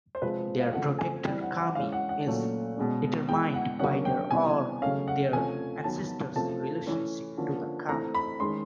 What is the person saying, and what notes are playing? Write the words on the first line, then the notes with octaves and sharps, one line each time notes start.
Their protector kami is determined by their or their ancestors' relationship to the kami.
C5
C3 F3 G#3 C4 B4
F5
C#3 F3 A3 C4 F#5
G#5
E3 G3 C4 G5
F#5
F#5
E3 G#3 C#4 F5
F#5
F#5
A#2 F#3 A3 C#4
B2 G#3 C#4
E3 G#3 B3 G5
F#5
D3 F#3 A#3 C#4 F#5
G5
C3 E3 G3 B3 G#5
C#3 F#3 A3 C#4 F5
F#5
C3 F3 A3 C#4 G#5
D#3 F#3 B3 A5
C3 F3 A3 C#4 A5
E3 A3 C#4
D3 F3 A#3 C#4
E3 A3 C4 A#5
B5
D#3 G#3 C#4 C6